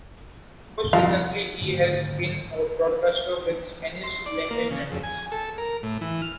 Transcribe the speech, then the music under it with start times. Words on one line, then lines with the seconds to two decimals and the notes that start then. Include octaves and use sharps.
Most recently, he has been a broadcaster with Spanish-language networks.
0.93 C2 F2 F5
1.61 G#2 D3 D#3 A3
4.04 C6
4.26 D5
4.50 A#3
4.71 C#3
4.92 F2
5.03 G#5
5.32 A4
5.58 A#4
5.83 A2
6.01 E3
6.22 F6